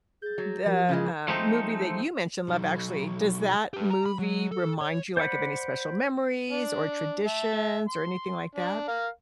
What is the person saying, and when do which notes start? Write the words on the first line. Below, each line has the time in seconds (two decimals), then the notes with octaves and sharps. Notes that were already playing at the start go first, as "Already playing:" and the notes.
the, um, movie that you mentioned- Love Actually- does that movie remind you, like, of any special memories, or traditions, or anything like that?
0.22 G#4 G6 A6
0.38 F#3
0.66 F3 G4 A#4
0.89 C#3 E3 G#3 F4
1.28 F3 G#3 A3 C4 D#4
2.48 B1 F#3
3.74 G4 B4
3.90 A#5
4.06 B5
4.19 F#3
4.52 A4
4.81 C#5
5.17 C5 D5 F#5 B5
6.50 D4
7.27 E5 A5
7.88 C6
8.55 D4
8.88 A#4 F5